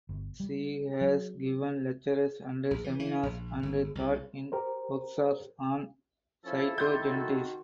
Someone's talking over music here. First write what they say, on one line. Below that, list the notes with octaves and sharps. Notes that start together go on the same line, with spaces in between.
She has given lectures and seminars and taught in workshops on cytogenetics.
G1
G3
F#3
A#1
E3
E3
A#1
G1
C2
G4 A#4 C5
F3 A3 C#4 E4 A4
D#3 G4 C6 G6
F#4